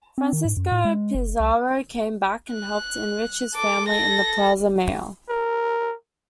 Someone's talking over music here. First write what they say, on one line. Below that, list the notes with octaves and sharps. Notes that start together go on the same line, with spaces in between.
Francisco Pizarro came back and helped enrich his family in the Plaza Mayor.
C4
D#3
G#2
F#2
A2
G#3
F#1
C2
F#6
A4 D6
A4 A#6
A#4